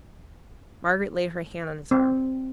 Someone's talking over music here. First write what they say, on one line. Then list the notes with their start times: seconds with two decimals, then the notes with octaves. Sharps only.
Margaret laid her hand on his arm.
1.91 C4